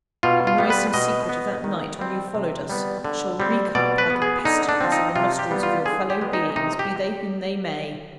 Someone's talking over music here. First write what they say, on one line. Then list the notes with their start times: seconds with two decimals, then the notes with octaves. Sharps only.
The noisome secret of that night when you followed us, shall reek up like a pestilence in the nostrils of your fellow-beings, be they whom they may.
0.23 B2 F4
0.47 F4
0.58 G3 B3
0.70 B4
0.94 B2 D#5
1.29 B3
1.64 D#3
1.99 G3 C4
2.35 C3
2.70 G3 B3
3.05 D3
3.40 G3 C4
3.75 B2 D5
3.98 B4
4.10 B3
4.22 G#4
4.45 D3 D#4
4.69 D4
4.81 F3 C4
4.92 D#4
5.16 C3 F4
5.39 G4
5.51 G3 B3
5.63 F4
5.85 D3 G#4
6.10 G4
6.21 G#3 B3
6.33 D#4
6.56 C3 D#4
6.79 G4